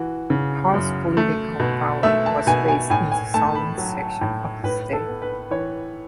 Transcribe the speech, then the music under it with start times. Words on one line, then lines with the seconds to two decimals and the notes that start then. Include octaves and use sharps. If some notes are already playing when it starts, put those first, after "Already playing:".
Haugh's political power was based in the southern section of the state.
Already playing: E3 F#4
0.30 C#3
0.74 F#2
1.17 A3
1.60 B2
2.03 A3 E5
2.26 A5
2.47 B2 G#5
2.68 G#5
2.90 A2 G#5
3.12 G#5
3.34 A3 A5
3.55 B5
3.78 F#3
4.21 A2
4.63 A2 B4
4.93 A4
5.07 B3
5.22 B4
5.51 E3 C#5